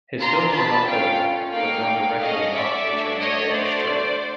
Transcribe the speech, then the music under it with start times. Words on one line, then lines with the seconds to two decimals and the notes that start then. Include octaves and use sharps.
His films were not photographed, but drawn directly onto the transparent strip.
0.19 D4 F4 G#4 A#5 C6
0.53 A5 B5
0.85 C#4 F4 A4 F5 G5
1.52 A#3 D#4 F#4 A4 F5 G5
2.19 C#4 F#4 A4 D#5 F5
2.51 D5 E5
2.85 A3 D4 F#4 A4
3.18 C#5 D#5
3.51 A3 D4 F#4 C5 D5